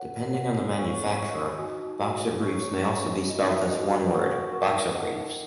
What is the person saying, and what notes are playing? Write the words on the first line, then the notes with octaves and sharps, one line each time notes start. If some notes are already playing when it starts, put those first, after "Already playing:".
Depending on the manufacturer, boxer briefs may also be spelled as one word: boxerbriefs.
Already playing: A#4 C#5 F#5
A#4
C#5 F#5
C#5
G#5 C#6
C#5
G#5 C#6
D#4
F#4 D#5 G#5
D#4
F#4 D#5 G#5
C#5
A#5 C#6
C#5
A#5 C#6
D#4
F#4 D#5
D#4
F#4 D#5
F#4
A#4 F#5 C#6
F#4
A#4 F#5 C#6
D#4
A#4 D#5 F#5 A#5
D#4